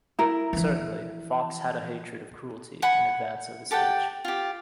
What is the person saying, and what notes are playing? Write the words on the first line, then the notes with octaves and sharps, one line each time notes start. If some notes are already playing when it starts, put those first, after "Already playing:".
Certainly, Foxe had a hatred of cruelty in advance of his age.
E4 A#4
E3 F3
F#5 G#5 B5
G4 A4 F#5 G5
F4 G4